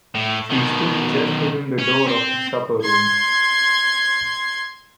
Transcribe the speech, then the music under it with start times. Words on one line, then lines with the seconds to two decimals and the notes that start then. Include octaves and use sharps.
She stood just within the door of the supper-room.
0.15 A2
0.51 B2 D#3
1.79 C#4
2.08 C4
2.83 C6 G#6